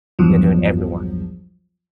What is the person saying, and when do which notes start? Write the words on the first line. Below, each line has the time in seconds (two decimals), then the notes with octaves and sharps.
you're doing everyone
0.19 A#1 E2 G2 F3 F#3